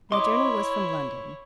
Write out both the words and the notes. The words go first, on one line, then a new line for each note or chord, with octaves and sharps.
My journey was from London.
E4 C#5 D#5 C6 D6